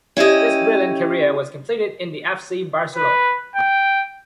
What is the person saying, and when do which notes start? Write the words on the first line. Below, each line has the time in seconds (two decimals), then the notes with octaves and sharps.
This brilliant career was completed in the FC Barcelona.
0.17 C#4 E4 G4 D#5
2.96 B4
3.55 G5